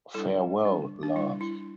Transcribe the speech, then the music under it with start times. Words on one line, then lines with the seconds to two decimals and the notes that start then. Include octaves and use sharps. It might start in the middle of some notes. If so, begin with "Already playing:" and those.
Farewell Love!
0.14 G3 D4 E4 A4
0.65 G3 D4
1.03 D4
1.16 G3 D4 E4
1.41 E4